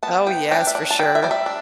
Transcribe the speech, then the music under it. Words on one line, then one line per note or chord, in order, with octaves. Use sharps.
Oh, yes, for sure.
B3 A5
E3 G5
D4 G5
E5
D4
A5
G3 G5
E5
G3 D5
E5
D4